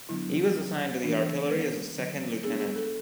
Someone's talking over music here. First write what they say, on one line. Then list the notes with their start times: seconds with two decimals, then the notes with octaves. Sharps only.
He was assigned to the artillery as a second lieutenant.
0.09 D3 F#3 B3 D4 E4
0.56 F#3 C#4
1.03 E3 B3 D4
1.50 D3 G#3 B3 D4 B4
1.97 D3 F#3 C#4
2.44 G#3 B3 D4 G#4
2.60 G#4
2.76 A4